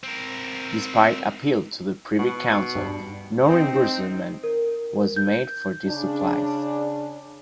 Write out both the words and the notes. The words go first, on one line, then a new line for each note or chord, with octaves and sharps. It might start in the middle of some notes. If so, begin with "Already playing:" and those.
Despite appeals to the Privy Council no reimbursement was made for these supplies.
C4 A#4
B2 F#4
G2 D4
C4 D#4
A#4
G6
C#3 D4